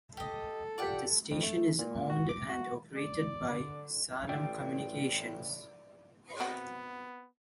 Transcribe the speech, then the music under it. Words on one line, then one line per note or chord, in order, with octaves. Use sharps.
The station is owned and operated by Salem Communications.
G4 A4 D#5
F4 G4 D5 F#5 G5
F2
A3
A#2
F#4
D6
F#4
D5
D3
A1 F4 D5 E5 G5
B3 C4 F#4 A#4